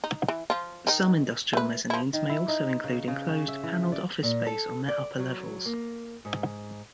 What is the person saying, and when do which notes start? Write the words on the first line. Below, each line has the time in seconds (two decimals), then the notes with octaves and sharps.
Some industrial mezzanines may also include enclosed, paneled office space on their upper levels.
0.04 D#4
0.28 E3
0.50 F3 F4
0.87 D#3 D#4
1.53 A3 B4
1.90 F3 E4
2.13 D#3
2.29 E4
2.48 D#4
2.84 C#3
3.08 C#3
3.28 C#4
3.48 E5
3.63 E3
3.92 D5
4.23 A#2
4.47 A4
4.88 D5
5.19 F#3
5.66 A#3
6.25 G#2